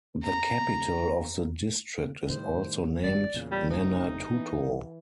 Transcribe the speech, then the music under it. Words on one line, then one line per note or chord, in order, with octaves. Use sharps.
The capital of the district is also named Manatuto.
A#5
A2 D#3 G3 C5
G#1 D5
E2 A#2 C#3
G3
F#1 D2 C3 D#4
E3